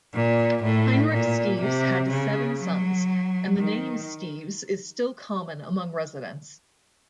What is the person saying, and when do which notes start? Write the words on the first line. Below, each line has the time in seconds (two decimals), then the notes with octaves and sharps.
Heinrich Steeves had seven sons and the name Steeves is still common among residents.
0.14 A#2
0.64 A2
1.13 A#2
1.62 C3
2.11 C#3
2.61 F#3
3.59 D#3